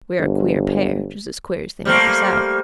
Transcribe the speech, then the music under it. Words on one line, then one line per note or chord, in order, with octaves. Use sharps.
We are a queer pair--just as queer as they make us out.
G1
G3 A3 A#3 C5 F6